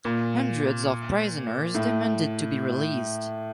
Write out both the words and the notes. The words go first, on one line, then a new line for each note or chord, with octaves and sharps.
Hundreds of prisoners demanded to be released.
A#2
A2